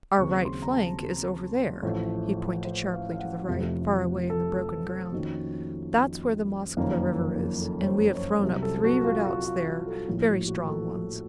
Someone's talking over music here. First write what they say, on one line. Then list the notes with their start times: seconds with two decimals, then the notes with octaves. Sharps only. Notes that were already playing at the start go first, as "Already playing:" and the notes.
Our right flank is over there"--he pointed sharply to the right, far away in the broken ground--"That's where the Moskva River is, and we have thrown up three redoubts there, very strong ones.
0.17 D#2 C#3 F#3 C4 C#6
0.45 C6
0.62 A#5
0.73 A5
1.83 A1 A2 F3 A3
2.65 C5
2.93 F5
3.12 F5
3.20 F#5
3.47 F1 F2 C3 F3 A3
4.30 A4
5.12 F2 D#3 A#3 C#4 F#4
6.77 F#1 F2 D#3 A#3 C#4
7.60 A4
7.82 C#5
7.87 C5
8.15 C#5
8.42 C2 C3 F#3
8.62 A4
8.75 A4
8.84 F#4
9.04 F4
9.18 F4
9.25 F#4
9.45 F4
9.65 F#4
9.87 A4
10.07 A#1 A2 F3 A#3
10.28 F#4
10.48 F#4
10.69 A4